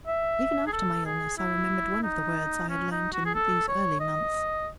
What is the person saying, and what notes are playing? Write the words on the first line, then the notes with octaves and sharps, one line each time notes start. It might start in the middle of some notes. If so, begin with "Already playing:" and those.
Even after my illness I remembered one of the words I had learned in these early months.
E5
G#4
A4
G#4
E4
D#4
C#4
D#4
F#4
G#4
A4
C#5
D#5